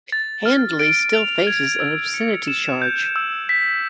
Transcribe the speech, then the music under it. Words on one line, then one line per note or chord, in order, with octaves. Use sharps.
Handley still faces an obscenity charge.
A6
F6
D7
F7
G#6
E6
C#7
E7
G6
E6
B6